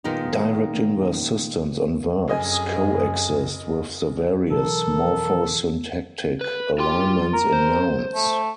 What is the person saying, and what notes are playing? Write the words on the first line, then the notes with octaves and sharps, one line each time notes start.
Direct-inverse systems on verbs coexist with the various morphosyntactic alignments in nouns.
A#2 D#3 G#3 B3 D#4
F1 F#2 G#4 D#5 G#5
B2 E3 F#3 A4 A#4
B4
F4 G4 C6
A#4
C5
A3